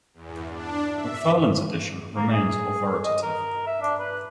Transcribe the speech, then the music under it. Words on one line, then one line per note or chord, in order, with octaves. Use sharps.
McFarlane's edition remains authoritative.
E2
D4
E5
A#3
G#4
D#5
A#4
E5
D4
B4